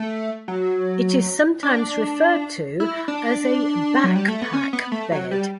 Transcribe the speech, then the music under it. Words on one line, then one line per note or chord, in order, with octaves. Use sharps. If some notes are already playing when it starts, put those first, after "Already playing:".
It is sometimes referred to as a "backpack bed".
Already playing: A3
F#3
D4
E4
D4
F#3
G3
A3
B3
C#4
B3
A3
F#3
G3